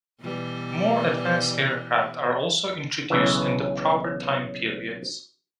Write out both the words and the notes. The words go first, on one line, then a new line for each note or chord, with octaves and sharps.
More advanced aircraft are also introduced in the proper time periods.
B2 E3 G3
B1 C#3 E3